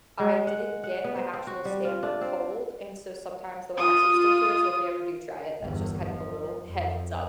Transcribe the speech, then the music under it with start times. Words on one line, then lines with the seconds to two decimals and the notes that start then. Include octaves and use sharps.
I didn't get my actual stamper cold, and so sometimes the wax would stick to it, so if you ever do try it, that's just, kind of a little heads-up.
0.19 G#3
0.47 F#5
0.84 F#5
1.04 B3
1.16 C5
1.33 C4
1.47 F#4
1.65 G3
1.85 F4
2.03 D4
2.21 C4
3.77 F4 D#6
5.61 G1 E2
6.08 F3
6.66 F2